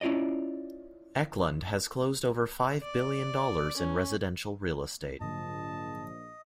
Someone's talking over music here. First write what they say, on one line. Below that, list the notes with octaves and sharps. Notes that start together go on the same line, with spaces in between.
Eklund has closed over five billion dollars in residential real estate.
C#4 E4 F4 D5 D#5
D5
C#4
A#1 G#2 D3 F#3 D#5 A5